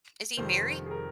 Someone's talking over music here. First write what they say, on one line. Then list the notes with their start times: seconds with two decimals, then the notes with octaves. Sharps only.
Is he married?
0.37 F1 F2 D#3 G3 C5
0.86 G#4
0.91 A#4